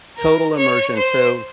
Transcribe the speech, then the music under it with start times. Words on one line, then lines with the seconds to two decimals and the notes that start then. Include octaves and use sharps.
Total immersion so,
0.17 A#4
0.57 C#5
0.96 C5